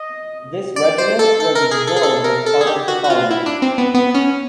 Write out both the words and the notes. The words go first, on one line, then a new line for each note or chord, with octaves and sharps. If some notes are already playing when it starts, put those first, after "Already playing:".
This regiment was absorbed as part of the column.
Already playing: D#5
D5
C5
A4
A4
A#4
G#4
A4
G#4
A4
A#4
A4
G#4
G4
F#4
F#4
F4
E4
D4
C4
B3
B3
C#4